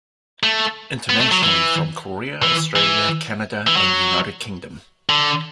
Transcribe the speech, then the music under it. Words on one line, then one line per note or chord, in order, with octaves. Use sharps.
Internationally from Korea, Australia, Canada and United Kingdom.
A3
B3
A3
F#3
E3
E3
E3
E3
F#3
D3